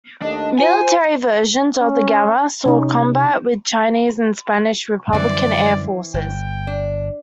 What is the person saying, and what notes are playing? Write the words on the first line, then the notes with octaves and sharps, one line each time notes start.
Military versions of the Gamma saw combat with Chinese and Spanish Republican air forces.
D#2 A3 D4 D#5
F4 C5 G#5
C#4
C3 C#4 D#4
F#2 D3 E3 G3 C4 D5
G1 G5
D4